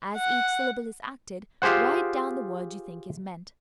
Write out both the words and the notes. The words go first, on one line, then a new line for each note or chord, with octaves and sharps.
As each syllable is acted, write down the word you think is meant.
F#5
F4 G4 G#4 C5 F#5